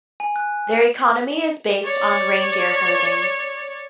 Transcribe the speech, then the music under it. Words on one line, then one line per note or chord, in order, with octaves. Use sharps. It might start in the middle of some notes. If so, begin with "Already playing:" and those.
Their economy is based on reindeer herding.
G#5
F#6
C#5 D5